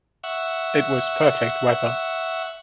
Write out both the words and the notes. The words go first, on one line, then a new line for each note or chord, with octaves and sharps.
It was perfect weather.
E5 F#5 C#6